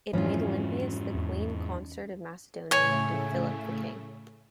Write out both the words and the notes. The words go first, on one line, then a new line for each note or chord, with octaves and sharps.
It made Olympias the queen consort of Macedonia, and Philip the king.
F2 G#2 E3 F#3 C#4 F4
E2
A2 C#3 A3 C#5 G#5